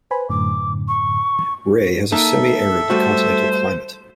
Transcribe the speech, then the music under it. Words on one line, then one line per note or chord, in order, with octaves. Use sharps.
Wray has a semi-arid continental climate.
B4 C5 G#5 B5
F#2 A2 D3 D6
C#6
A#3 D#4 A4 E5 A5
G3 A3 F#4 C5